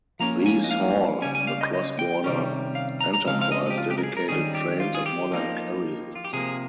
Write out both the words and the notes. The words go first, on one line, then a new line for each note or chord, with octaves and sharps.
These haul the cross-border "Enterprise" dedicated trains of modern carriages.
F3 A#3 C#4 A#5
G#5
D#5
F5
C#3 G3 C#4 G#5
G#5
F5
D#5
D#5
G5
C3 D#3 G3 C#4
F5
A#5
A#5
C#3 F3 G#3 C4 F5
F5
D#5
G4
F4
G4
A#4
G#4
A#4
D#3 G3 C#4 G#4
G4
F4
G#4
G4
F3 A#3 D#4
F4
G4
C3 F3 A#3 G#4